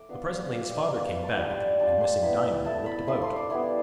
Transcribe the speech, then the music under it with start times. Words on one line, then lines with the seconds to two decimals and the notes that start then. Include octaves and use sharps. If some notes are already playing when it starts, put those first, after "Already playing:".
But presently his father came back, and missing Diamond, looked about.
Already playing: A3 D6
0.09 B3 D4 F4 C6
0.30 C6
0.51 G3 D4 F4 D6
0.94 B3 D4 F4 B5
1.08 C6
1.23 A5
1.37 G3 D4 F4 B5
1.51 C6
1.79 G3 D4 F4 A5
2.01 C6
2.22 B3 E4 B5
2.65 A3 E4 A5
2.86 B5
3.07 A3 D4 F4 C6
3.22 C6
3.36 D6
3.50 G3 B3 E4 C6